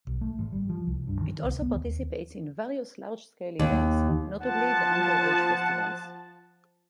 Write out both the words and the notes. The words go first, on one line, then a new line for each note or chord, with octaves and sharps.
It also participates in various large-scale events, notably the Underage festivals.
B1
A3
G#1
G3
F3
C2
G2
D#3
C2
B3
D#2
D#2
F3 F#5 A5